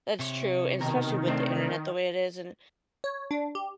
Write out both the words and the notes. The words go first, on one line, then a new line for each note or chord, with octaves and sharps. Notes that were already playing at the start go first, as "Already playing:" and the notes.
That's true, and especially with the Internet the way it is and
C3 C#5
B2 D#3 A#4
A3 C4 D4
C#5
D4
G4